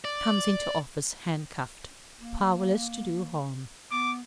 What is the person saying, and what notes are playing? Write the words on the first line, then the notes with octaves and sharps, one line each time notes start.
It comes into office handcuffed, powerless to do harm.
D5
A#3
B3 D6